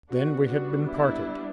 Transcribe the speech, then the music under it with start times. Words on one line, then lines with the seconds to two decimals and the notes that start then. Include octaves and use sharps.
Then we had been parted.
0.10 G3 B3 D4 F#4
0.47 F#4
0.85 E4